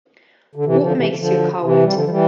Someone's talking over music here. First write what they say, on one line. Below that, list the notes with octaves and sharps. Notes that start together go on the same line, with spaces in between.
What makes you a coward?
D3
C3 E3
D3 F3
C3 E3
D3 F3
D3 F3
C3 E3
G3
D3 F3
F3
E3 G3